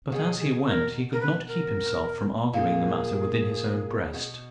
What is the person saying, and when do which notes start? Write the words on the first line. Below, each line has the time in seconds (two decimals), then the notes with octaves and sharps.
But as he went he could not keep himself from arguing the matter within his own breast.
0.12 B2 G#4
0.39 G#4
0.66 A#4
1.12 A#4
1.20 B4
1.47 A#4
2.53 A#2 G#4
4.14 B2